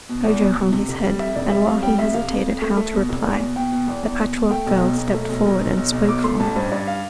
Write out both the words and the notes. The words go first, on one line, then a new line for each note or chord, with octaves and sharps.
Ojo hung his head and while he hesitated how to reply the Patchwork Girl stepped forward and spoke for him.
B2
E2
B2
B2
C3
F1
G3
F2 E5
F1 D5
G3 E5
F2 F5
G3 G5
F2 E5
C3 F5
F2
F2
A3
A3
B2
F1
E2
B2
B2 G5
B2
E2
E2
B2
B2
A3 G5
B1
B2
B1
A3
B1
B1
B1
B1
B1
B2 D6
A3 C6
A1 A5
G2 C5
G2 D5
F5